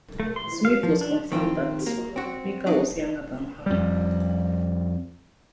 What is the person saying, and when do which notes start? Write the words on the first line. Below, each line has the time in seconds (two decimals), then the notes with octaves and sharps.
Smith was concerned that Meeker was younger than her.
0.20 A3
0.36 C6
0.65 F5
0.83 F3
1.01 D4
1.32 D#3 C4 F4
1.86 A#3
2.16 C4 F#4
2.66 F#3 D4 D#4
3.66 F2 G3